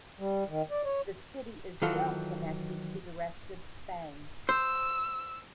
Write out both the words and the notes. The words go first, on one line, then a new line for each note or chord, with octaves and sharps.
The city is well connected to the rest of Spain.
G3
D#3
D5
C#5
D#3 E3 F#3 F4 A4
C5 E6